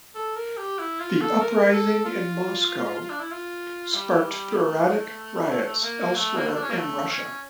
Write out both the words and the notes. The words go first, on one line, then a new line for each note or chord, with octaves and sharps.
The uprising in Moscow sparked sporadic riots elsewhere in Russia.
A4
A#4
G4
E4
F4
A4
A#4
A4
F4
D4
E4
F4
G3
A3
A#3
A3
A#3
A3
D4
C#4
A#3
A3
C#4